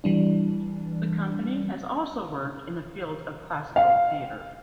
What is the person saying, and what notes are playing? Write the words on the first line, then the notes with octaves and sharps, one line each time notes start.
The company has also worked in the field of classical theatre.
E3 G3 D4
F5